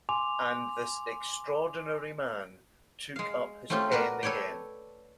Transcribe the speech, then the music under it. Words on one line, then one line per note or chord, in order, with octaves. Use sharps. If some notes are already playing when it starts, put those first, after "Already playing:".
And this extraordinary man took up his pen again.
G#5 C6 D6 F7
G#3 F5
A3 C4 C#4 F4 G4
F#4 A#4 B4 D5
A4 B4 C#5 D5 G5